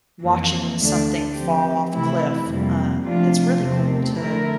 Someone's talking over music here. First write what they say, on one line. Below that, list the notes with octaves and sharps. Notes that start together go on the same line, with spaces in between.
watching something fall off a cliff, um, it's really cool to
F2 E3 A#3
D2 D3 A3 D4
F3 C4 G4
C3 E3 A3 E4
F2 C3 G3 A#3
C3 F3 A3 D4 F4
E2 C3 F3 A3 C4
D3 A3 E4 A#4